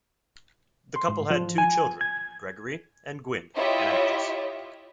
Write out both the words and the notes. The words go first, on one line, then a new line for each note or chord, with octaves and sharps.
The couple had two children, Gregory and Gwynne, an actress.
C6
G#2
F3
G#5
G#6
E4 F4 G4 C#5 D#5 E5